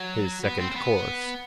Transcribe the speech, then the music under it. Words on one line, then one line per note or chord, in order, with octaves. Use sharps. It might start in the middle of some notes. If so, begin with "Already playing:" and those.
His second course.
Already playing: F#3
B3
C4
C4
B3